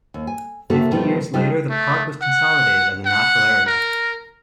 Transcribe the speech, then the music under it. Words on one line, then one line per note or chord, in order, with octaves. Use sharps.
Fifty years later the park was consolidated as a natural area.
D#2
G#5
C3 D#3 A3 A#3 F#4 A4
B2 D#3 F3 G3 A3
G3 A3 D#4 F4
A3
F#5
F#5
A#4